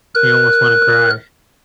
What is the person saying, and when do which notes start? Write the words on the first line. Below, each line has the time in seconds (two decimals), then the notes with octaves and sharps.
me almost wanna cry.
0.15 A#4 F#6